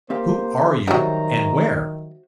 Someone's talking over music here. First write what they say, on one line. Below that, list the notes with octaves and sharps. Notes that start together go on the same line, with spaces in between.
"Who are you--and where?"
A#3 C4 G4 C5 F5
D#3 F#3 G3 F#4 C5 E5 A#5